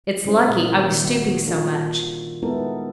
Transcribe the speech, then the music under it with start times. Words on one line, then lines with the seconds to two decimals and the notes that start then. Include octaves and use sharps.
It's lucky I was stooping so much.
0.25 C#3 G3 C#4 E4 C5
0.47 A#2 A#4 D#5
0.75 D#3 A#3
1.11 F#4
1.47 D4 F4 A4 A#4
2.42 G#3 B3 D#4 E4 A4 A#4